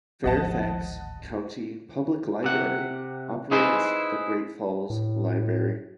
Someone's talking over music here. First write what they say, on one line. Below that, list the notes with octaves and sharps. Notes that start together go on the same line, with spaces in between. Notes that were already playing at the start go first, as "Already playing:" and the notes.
Fairfax County Public Library operates the Great Falls Library.
D1 G#1 F3 D#5 F#5 A5
C3 F#5
D#4 E4 G#4 B4 C5
A2